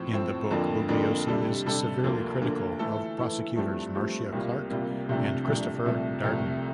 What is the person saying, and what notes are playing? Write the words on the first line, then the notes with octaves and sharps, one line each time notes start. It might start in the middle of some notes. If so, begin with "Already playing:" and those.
In the book, Bugliosi is severely critical of prosecutors Marcia Clark and Christopher Darden.
Already playing: A2 F3 C4
A2 F3 C4
F2 D3 F3 A#3 D4
F2 D3 F3 A#3 D4
C3 G3 D4 A4
C3 G3 D4 A4
D2 D3 F3 A#3
D2 D3 F3 A#3
E3 A3 E4 A4
E3 A3 E4 A4
G2 F3 A3 C4 G4
G2 F3 A3 C4 G4
C2 C3 G3 A#3 F4
C2 C3 G3 A#3 F4
C2 C3 F3 A3 D4
C2 C3 F3 A3 D4
C2 C3 F3 A3
C2 C3 F3 A3